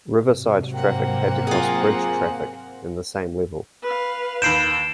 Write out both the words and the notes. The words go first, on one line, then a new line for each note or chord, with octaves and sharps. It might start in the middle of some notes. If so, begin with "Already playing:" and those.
Riverside traffic had to cross bridge traffic in the same level.
G#2 C3 F#3
A#3 C4 F#5 G5
F4 G#4
G#5
B4 F5
D#2 B5 G6 C7 D7 E7